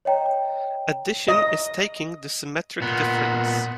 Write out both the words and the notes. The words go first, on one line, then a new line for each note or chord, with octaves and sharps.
Addition is taking the symmetric difference.
C#5 D#5 G5 A#5
D#5
A#2 B3